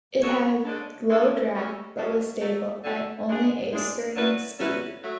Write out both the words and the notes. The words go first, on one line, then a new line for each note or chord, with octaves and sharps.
It had low drag, but was stable at only a certain speed.
B3 F#4 A4 C#5
C#3 G#3 D4 A4
C#3 G#3 D4 A4
G#3 C#4 F#4 A4
G#3 C#4 F#4 A4
D3 F#3 A3
D3 F#3 A3
A2 G#3 D4 G#4
A2 G#3 D4 G#4
D3 F#3 C#4 E4 B4
D3 F#3 C#4 E4 B4
F#3 A3